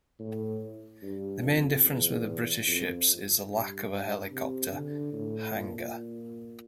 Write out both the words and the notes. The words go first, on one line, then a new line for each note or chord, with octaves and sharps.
The main difference with the British ships is the lack of a helicopter hangar.
A2
G2
F2
E2
F2
G2
C3
D3
A2
A#2